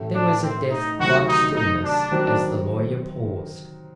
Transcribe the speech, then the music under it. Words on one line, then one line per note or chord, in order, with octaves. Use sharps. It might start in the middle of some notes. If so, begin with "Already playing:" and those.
There was a death-like stillness as the lawyer paused.
Already playing: A1 A2 A3
D4
C4
D#4
D2 C3 D#3 F#3 F#4
D#4
D#4
D4
D#3 F#3 C4